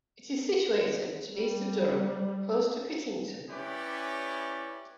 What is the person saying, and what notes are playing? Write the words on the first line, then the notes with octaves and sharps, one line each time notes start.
It is situated to the east of Durham, close to Pittington.
G3
C#4 E4 G4 B4 D5